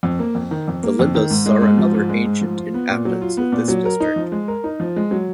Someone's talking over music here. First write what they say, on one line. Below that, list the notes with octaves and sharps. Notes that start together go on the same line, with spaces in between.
The Limbus are another ancient inhabitants of this district.
F2
A#3
F2
D#3
F2
A#3
F2
D#3
G#2
G#3
G#2
F3
G#2
G#3
G#2
F3
F4
B3
A#2
F#3
F4
B3
A#2
F#3
A#4
D#4
F3
G#3
A#4
D#4
F3
G#3
F#3